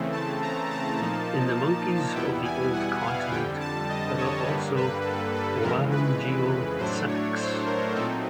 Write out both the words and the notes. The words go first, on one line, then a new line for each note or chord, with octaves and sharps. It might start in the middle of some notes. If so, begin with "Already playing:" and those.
In the monkeys of the old continent there are also laryngeal sacs.
Already playing: C#3 E3 A3 C4
A5
A#5
A5
A#2 F3 A#3 D#4
E2 B2 G3 B3 E4 G5
G#5
F#5
F5
F2 D3 G3 G5
A5
D#5
C#5
G2 D3 G3 A#3 B4
B4
A4
A4
F2 C#3 E3 G#3 A#4
B4
A2 F#3 A3 D4 C5
C#5
C5
A#4
A#2 F#3 A3 C4 D#4 A4